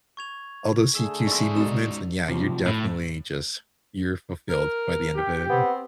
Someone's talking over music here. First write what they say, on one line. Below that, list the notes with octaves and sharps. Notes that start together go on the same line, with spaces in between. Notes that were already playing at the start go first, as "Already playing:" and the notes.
all those CQC movements, then yeah, you're definitely just you're fulfilled by the end of it.
C#6 G#6 F7
D3 A3 G#4 E6 E7
C#4 D#4 D5 E5 C6 C#6 E6
G#2 F#4 D5 E7
C3 F3 F#3
A2
A#4
G4
B3 C4